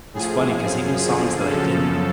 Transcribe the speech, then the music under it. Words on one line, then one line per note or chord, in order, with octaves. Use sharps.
It's funny 'cause even songs that I didn't
A2 F3 G#4
F#2 F3 G#4
F2 D3 F3
F#2 C#3 F3 A4